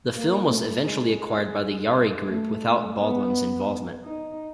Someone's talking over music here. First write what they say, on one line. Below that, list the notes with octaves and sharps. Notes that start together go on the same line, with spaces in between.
The film was eventually acquired by The Yari Group without Baldwin's involvement.
A#3
A3
G#3
A3
B3
D#4